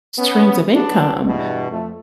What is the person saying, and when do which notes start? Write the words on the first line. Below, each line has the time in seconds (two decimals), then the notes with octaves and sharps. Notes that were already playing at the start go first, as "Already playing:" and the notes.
streams of income,
0.17 B3 C#4
0.74 F#3 B3 D4
1.26 E2 G2 B2
1.70 F2 A3